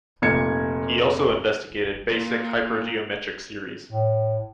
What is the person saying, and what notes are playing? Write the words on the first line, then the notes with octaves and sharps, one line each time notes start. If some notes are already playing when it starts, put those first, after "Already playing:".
He also investigated basic hypergeometric series.
F1 A#2 G#6 C#7
A#2 A#3
A2